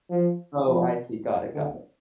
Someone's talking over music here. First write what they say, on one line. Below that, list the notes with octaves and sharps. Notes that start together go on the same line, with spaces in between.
Oh, I see, got it, got it.
F3
F3
D3